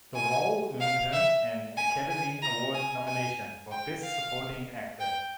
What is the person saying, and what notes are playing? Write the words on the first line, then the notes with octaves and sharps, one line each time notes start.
The role earned him an Academy Award nomination for Best Supporting Actor.
G#5
F5
E5
G#5
G#5
A#5
G#5
G#5
G5
F5
G5